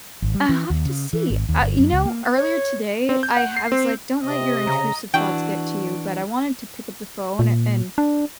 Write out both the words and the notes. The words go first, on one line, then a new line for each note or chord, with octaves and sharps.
I'll have to see, I you know, earlier today, I ha was like, "Don't let your intrusive thoughts get to you," but I wanted to to pick up the phone a and,
G#1
G3
E3
D#2
C#3
E3
G#1
D#2
G1
F#2
C#2
A#3
C#5
C4
G6
F#5
C7
C4
C3 D#5
C#3 A#5
E3 D4 F#4 G5
A#2
D4